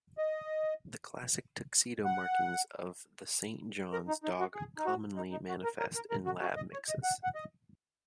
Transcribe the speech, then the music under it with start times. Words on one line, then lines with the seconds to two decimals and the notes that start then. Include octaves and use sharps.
The classic tuxedo markings of the Saint John's dog commonly manifest in Lab mixes.
0.18 D#5
2.05 F#5
3.92 A#4
4.08 D#4
4.24 D#4
4.39 F#4
4.54 G#4
4.78 D#4
4.86 F#4
5.16 D#4
5.32 D#4
5.48 F#4
5.63 A#4
5.79 A#4
5.95 A#4
6.11 A#4
6.26 F#4
6.41 F#4
6.56 D#5
6.73 C#5
6.88 D#5
7.04 F#5
7.24 F#5
7.35 D#5